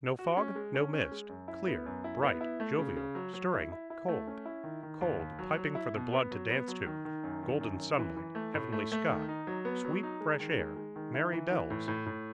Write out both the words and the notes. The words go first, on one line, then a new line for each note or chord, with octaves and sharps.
No fog, no mist; clear, bright, jovial, stirring, cold; cold, piping for the blood to dance to; golden sunlight; heavenly sky; sweet fresh air; merry bells.
F#4
C#4
G#3
C#4
C#4
G#3
F#2
E4
B3
F#2
E4
B3
E4
A3
C#3
C#3
F#3
F#3
E4
E4
E4
A3
C#4
E4
D#3
D#3
D#2
D#2
F#3
F#3
E4
B2
B3
F#3
B3
F#3
D#3
D#3
F#2
D#3
F#2
F#2
E3
E3
A3
A2
A3
A3
D#3
D#4
F#3
B3
F#3
D#4
G#3
D#3
G#3
G#3
D#3
E4
E3
E3
A2
A2
A2